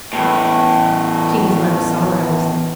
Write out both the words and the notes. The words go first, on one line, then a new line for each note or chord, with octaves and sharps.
She has left sorrows.
E2 A2